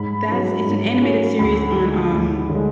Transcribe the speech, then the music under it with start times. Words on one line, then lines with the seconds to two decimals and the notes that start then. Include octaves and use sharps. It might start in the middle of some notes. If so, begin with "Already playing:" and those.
That's it's an animated series on, um,
Already playing: G#2 B5
0.28 F#3 C#4
0.64 G#2
1.02 F#3 C#4
1.39 D2 B5
1.76 D3 G#3
2.13 D2
2.49 D3
2.55 G#3